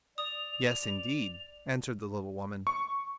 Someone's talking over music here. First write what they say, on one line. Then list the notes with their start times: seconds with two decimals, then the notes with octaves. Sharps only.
"Yes, indeed," answered the little woman.
0.18 D5 D#6 F7
2.67 C#6